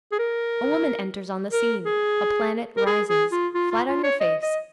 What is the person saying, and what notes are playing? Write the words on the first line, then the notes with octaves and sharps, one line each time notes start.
A woman enters on the scene, a planet rises; flat on your face!
G#4
A#4
A#4
G#4
A#4
G#4
G#4
F4
F4
F4
F4
C#5
D#5
D#5